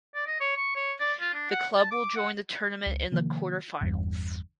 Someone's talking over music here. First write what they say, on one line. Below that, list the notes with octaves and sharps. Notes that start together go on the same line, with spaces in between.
The club will join the tournament in the quarterfinals.
D5
D#5
C#5
C#6
C#5
D5
F4
D4
F#5
A5
D6
F#5
C#2
C3 D#3 F3 A#3
G1 E2 G2